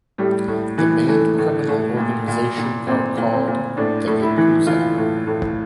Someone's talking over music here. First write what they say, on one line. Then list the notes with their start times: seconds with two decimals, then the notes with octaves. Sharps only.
The main criminal organization are called the Yakuza.
0.18 A2 G3
0.48 A2
0.78 E3
1.07 E3 A3
1.38 A2
1.68 A2
1.97 A#2
2.28 A#2
2.58 A#2
2.87 A#2 C4
3.17 A#2
3.32 C4
3.47 A#2
3.77 A2 D4
4.07 A2
4.22 E4
4.37 E3
4.67 E3 F4
4.97 A2
5.27 A2